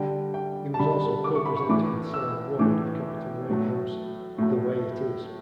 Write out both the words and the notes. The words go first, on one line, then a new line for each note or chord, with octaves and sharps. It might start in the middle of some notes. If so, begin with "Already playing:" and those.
He was also co-presenter with Sarah Ward of Capital Radio's "The Way It Is".
Already playing: D3 G3 G5
G5
A5
D3 G3 B5
D6
C#6
B5
C#6
A2 E3 A3 D6
E6
A2 E3 A3 D6
A2 F#3 A3
A2 F#3 A3